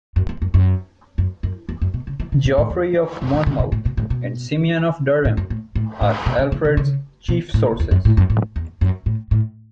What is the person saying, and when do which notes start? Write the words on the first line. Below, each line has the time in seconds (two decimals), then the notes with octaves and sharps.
Geoffrey of Monmouth and Simeon of Durham are Alfred's chief sources.
0.16 F#2
0.29 E2
0.42 F#2
0.54 F#2
1.18 F#2
1.43 F#2
1.69 E2
1.82 F#2
1.94 B2
2.07 C#3
2.20 E3
2.32 C#3
2.45 B2
2.58 A2
2.70 E2
3.22 F#2
3.34 A2
3.46 B2
3.59 B2
3.72 A2
3.85 B2
3.97 A2
4.10 B2
5.25 A2
5.37 F#2
5.50 A2
5.76 A2
6.01 A2
6.26 B2
6.39 C#3
6.52 E3
6.65 C#3
6.77 C#3
7.28 B2
7.54 A2
7.80 E2
7.91 F#2
8.05 A2
8.17 F#2
8.30 A2
8.56 E2
8.81 F#2
9.06 A2
9.31 A2